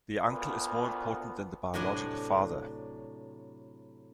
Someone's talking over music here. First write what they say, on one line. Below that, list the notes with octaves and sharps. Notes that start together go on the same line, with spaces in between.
The uncle is more important than the biological father.
D2 A#2 B3
A2 C3 F#3 D4 F#5 G#5